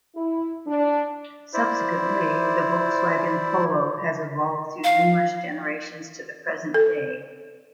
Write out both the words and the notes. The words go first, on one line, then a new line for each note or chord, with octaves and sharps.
Subsequently the Volkswagen Polo has evolved through numerous generations to the present day.
E4
D4
E4 C5 D5
F5
A4